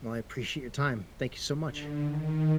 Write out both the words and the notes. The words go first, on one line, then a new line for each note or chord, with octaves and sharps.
Well, I appreciate your time. Thank you so much.
D3
D#3